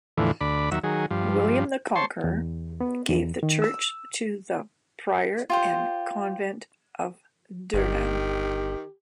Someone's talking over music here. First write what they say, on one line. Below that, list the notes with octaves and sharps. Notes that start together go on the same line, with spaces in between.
William the Conqueror gave the church to the prior and convent of Durham.
E2 A2 D3 E3 F3
D2 D5 B5
D#2 F#3 E5
D#3 F#3 G#4
G2 F3
C5 C#5 A5 C6
E2
B3
E2
D#3
E6
F4 G4 C5
G1 D#3 G4